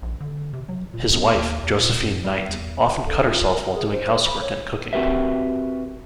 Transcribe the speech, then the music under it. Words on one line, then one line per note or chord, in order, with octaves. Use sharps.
His wife, Josephine Knight, often cut herself while doing housework and cooking.
A#1
D3
C3
F#3
A#2
B3
D#2
E2
A#2
F#2
G3
E2
A4
F4
A#4
G#4
C5
B5
C#5
C4 F#4 G4 A#4 B4 E5